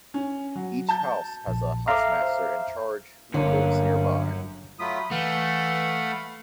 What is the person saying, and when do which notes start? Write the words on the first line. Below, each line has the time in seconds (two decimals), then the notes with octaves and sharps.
Each house has a housemaster in charge who lives nearby.
0.14 C#4
0.55 F#3
0.89 A5 G6
1.47 A#1
1.88 A4 E5 F5 A#5 D6
2.21 C5
3.34 G1 F#2 D3 A#3 C#5
4.80 F#3 A3 F4 B5 D#6
5.11 E3 A3 F5 F#5 B5